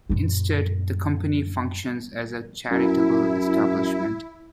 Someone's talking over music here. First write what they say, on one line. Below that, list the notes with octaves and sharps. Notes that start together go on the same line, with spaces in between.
Instead, the Company functions as a charitable establishment.
F#2 A#2
F#2 E4